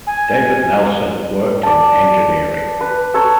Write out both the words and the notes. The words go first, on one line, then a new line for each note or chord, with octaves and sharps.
David Nelson worked in engineering.
G#5
D5 A5
B4
A4 C#5 A#5